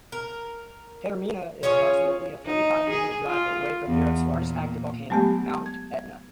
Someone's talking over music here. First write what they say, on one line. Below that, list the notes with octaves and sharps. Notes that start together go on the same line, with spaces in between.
Taormina is approximately a forty-five-minute drive away from Europe's largest active volcano, Mount Etna.
A#4
C#4 F4 G#4 C#5
D#4
G#4
F4
E2
A#2
F#3 G#3 A3 B3 G4
G#6